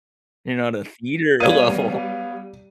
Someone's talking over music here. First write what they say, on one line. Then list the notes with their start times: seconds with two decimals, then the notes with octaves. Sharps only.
you're not a theater level.
1.40 G3 B3 C#5 D5 F5 D#6 D#7